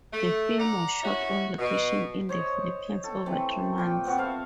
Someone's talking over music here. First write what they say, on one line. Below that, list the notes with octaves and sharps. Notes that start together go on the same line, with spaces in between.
The film was shot on location in the Philippines over three months.
A3
D5 F#5 A#5
C#4 E4 F#4
B2
C5 C#5 D#5
A4
E3 A3 C4
A#2 G5
B3 C4 F#4
A4 C5 E5 F5